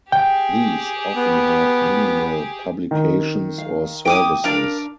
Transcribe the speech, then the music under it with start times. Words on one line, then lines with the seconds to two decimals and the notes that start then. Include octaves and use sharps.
These often have minimal publications or services.
0.12 G4 G#4 G5
1.16 B3
2.91 D#3
3.58 F5
4.05 E4 G4 G5 D6 D#6
4.44 D4 A#4 D5 F5 A5